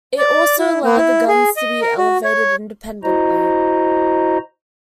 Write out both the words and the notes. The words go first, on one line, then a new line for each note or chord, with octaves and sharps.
It also allowed the guns to be elevated independently.
D5
E4
A#3
E4
G#4
D#5
A#4
F#4
C#5
E4 F#4 C5 D#5 A#5